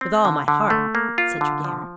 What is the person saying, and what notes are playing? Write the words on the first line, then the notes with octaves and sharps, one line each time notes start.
"With all my heart," said Tregear.
C4
D3
D3
A3
A#3
F4
D3
F3